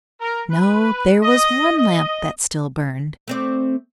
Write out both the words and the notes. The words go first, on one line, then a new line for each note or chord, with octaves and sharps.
No, there was one lamp that still burned.
A#4
B4
D#5
D#5
A3 C4 D5